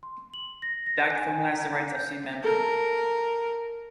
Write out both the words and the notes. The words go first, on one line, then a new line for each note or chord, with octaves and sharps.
The act formalized the rights of seamen.
C6
F#7
A#6
A#6
G#5
G#5
A#5
G6
A4 A#4